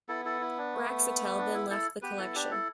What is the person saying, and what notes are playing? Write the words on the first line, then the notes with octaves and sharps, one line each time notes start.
Braxiatel then left the Collection.
B3 E4 A4
E4 A4
E4
D4
A3
D4
E4
E4 A4
B3 G4 B4
E4 A4
D4 G4
E4 A4